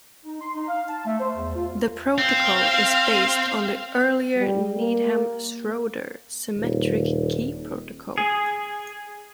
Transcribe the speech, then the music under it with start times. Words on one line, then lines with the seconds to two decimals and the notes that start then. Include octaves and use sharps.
The protocol is based on the earlier Needham-Schroeder symmetric key protocol.
0.25 D#4
0.41 C6
0.54 D#4
0.68 F5
0.88 A5
1.05 A3
1.19 C5
1.35 E2
1.54 F4
2.18 C4 F5
4.37 G3
4.77 A#3
6.59 D#1
8.18 G#4